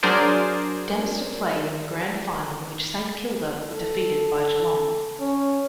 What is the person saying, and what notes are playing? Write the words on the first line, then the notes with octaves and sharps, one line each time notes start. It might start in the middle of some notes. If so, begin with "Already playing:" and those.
Dempster played in the grand final in which Saint Kilda were defeated by Geelong.
F#3 D4 G#4 A#4 C5 D5
A4
C#4